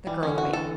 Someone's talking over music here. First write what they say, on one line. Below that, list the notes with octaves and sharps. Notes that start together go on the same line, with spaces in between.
The girl obeyed.
E3 G3
D3 C#4
F#4
E3
A4